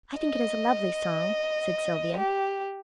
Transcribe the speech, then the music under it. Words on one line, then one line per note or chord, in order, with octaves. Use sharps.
"I think it is a lovely song," said Sylvia.
D#5
G4